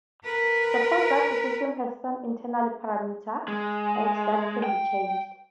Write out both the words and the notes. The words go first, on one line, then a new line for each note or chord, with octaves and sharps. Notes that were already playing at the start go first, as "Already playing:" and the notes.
Suppose that the system has some external parameter, x, that can be changed.
A#4 B4
G#3
G5